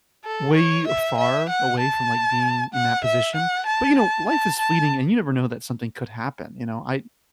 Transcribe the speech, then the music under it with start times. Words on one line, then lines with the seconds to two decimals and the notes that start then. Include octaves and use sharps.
way far away from, like, being in that position, but, you know, life is fleeting, and you never know that something could happen, you know, I
0.24 A4
0.56 C#5
0.87 E5
1.18 E5
1.49 F#5
1.80 A5
2.74 F#5
3.04 E5
3.35 F#5
3.66 A5
3.97 A5
4.29 A5
4.59 A5